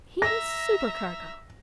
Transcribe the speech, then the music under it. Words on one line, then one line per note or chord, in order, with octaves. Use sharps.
"He was supercargo."
E5 A#5 A#6